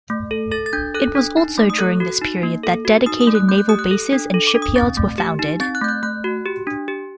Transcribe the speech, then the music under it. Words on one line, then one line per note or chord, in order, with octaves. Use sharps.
It was also during this period that dedicated naval bases and shipyards were founded.
A3
A4
A4 A6
A6
D4 G6
A4 F#6
D4
D#4
A3
D#6
A4 F#6
F#4
D#4
A#3
A4
F#4
D#4 D#6
D#6
A3
F#6
A3 G6
F#6
G4 D#6
F#6
A4
D4
A4
D6
D4
D#6
C4 A6
A3
G4
D#4
C4 A6
F#6
A3 G6
F#6
A3 F#6
F#4
G4
D4
G4